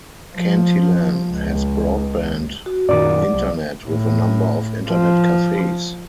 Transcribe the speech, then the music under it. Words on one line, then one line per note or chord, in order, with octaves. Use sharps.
Cantilan has broadband internet with a number of internet cafes.
F3
C#2
F#4
F#2 A#2 D#3 D5 D6
F#3
C2
A2
F3